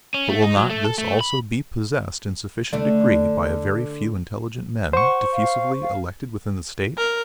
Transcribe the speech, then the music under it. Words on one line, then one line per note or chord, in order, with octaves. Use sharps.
But will not this also be possessed in sufficient degree by a very few intelligent men, diffusively elected within the State?
C#4
A3
D#4
F#3
A3
A4
A3
B5
D3 A3 D4
C5 F#5 C#6
F5
F5
A#4